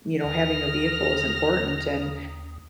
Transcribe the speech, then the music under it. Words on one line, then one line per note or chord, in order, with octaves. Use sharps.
you know, having a vehicle is important, and,
D#2 F6 A#6